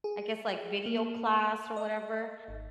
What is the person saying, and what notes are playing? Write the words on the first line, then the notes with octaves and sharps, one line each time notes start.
I guess, like, video class or whatever,
G#4
A#3
D#5
G#1